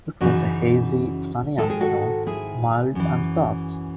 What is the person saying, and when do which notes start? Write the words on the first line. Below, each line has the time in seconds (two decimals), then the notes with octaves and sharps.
It was a hazy, sunny afternoon, mild and soft.
0.21 F#2 C#3 E3 D#4 F#4
1.58 G#2 D#3 A4
1.70 G#4
1.80 F#4 A4
2.26 E4 G#4
2.95 F#2 E3